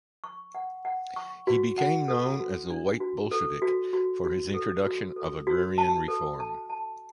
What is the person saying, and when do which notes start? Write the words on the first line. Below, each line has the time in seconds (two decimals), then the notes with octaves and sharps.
He became known as a "white Bolshevik" for his introduction of agrarian reform.
0.24 C#6
0.55 F#5
0.85 F#5
1.16 C#6
1.47 F#4
1.78 F#5
2.08 A4
2.40 F#4
2.70 D4
3.00 F#4
3.31 A4
3.62 F#4
3.93 F#4
4.24 F#4
4.54 A4
4.86 F#4
5.16 A4
5.47 F#4
5.78 A5
6.08 A4
6.40 A5
6.70 A5